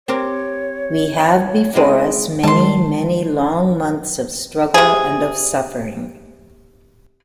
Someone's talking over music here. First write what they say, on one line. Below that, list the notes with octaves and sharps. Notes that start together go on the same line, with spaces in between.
We have before us many, many long months of struggle and of suffering.
C4 G4 A#4 C#5
G#3 C4 E4 D#5
D#3 G#3 A5 C6
C3 G#4